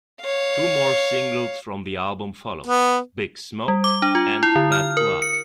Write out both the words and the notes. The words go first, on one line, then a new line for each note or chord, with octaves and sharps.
Two more singles from the album followed: "Big Smoke" and "Bad Blood".
C#5 F5
B3
G3
D6
D4
F4
E4
D3
F6
A#4
C#7